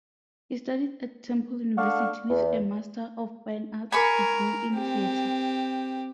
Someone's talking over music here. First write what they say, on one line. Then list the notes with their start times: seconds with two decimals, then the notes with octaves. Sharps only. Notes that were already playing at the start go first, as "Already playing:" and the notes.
He studied at Temple University with a Master of Fine Arts degree in theatre.
1.78 D4 A4 D5 F5 F#5 C#6
2.30 E2
3.92 A#4 G#5 B5 C#6
4.74 C4 G4